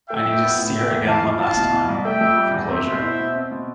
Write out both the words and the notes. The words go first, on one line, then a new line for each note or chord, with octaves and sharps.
I needed to see her again one last time, for closure.
A3 E5 G5
F2
B3
A2
A3 E5 G5
E2
E3 F5 A5
F2
E4 F5 A5
B2
E3
C2
A3 E5 G5
F2
G3
E2
C4 C5 E5
B2
E4
B2
C4
B2